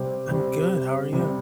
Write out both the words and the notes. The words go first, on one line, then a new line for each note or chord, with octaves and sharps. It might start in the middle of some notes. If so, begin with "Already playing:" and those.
I'm good. How are you?
Already playing: C3 G3 C4 G4
C3 G3 C4 G4
C3 G3 C4 G4